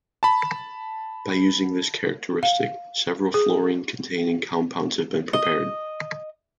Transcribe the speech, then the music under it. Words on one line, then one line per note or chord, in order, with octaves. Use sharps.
By using this characteristic, several fluorine-containing compounds have been prepared.
A5 B5
F5
G#4
D#5